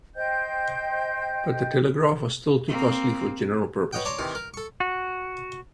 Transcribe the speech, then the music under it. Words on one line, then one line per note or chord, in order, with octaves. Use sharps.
But the telegraph was still too costly for general purposes.
C5 D#5 G5 G6
A#3 C4
B4 C#5 D#5 F#5 G5
C#5 D5 A5 A#5 C6
C3 D#3 E3
A#4
A4 C#6
F#4